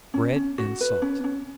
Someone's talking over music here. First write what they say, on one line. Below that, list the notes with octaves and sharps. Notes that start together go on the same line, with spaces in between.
Bread and Salt.
C#4
C#4
F#4
B4
C#4
C#4